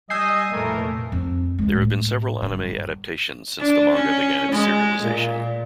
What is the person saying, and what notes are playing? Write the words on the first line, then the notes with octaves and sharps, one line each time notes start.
There have been several anime adaptions since the manga began its serialization.
G3 D#5 G#5 D#6 E6 G6 C7
F1 A#2 E3 A3 A#3 A4 A#4
F2 D#4
C#2 G#3
A2
G1 G2
D4
C#4
G#3
A#2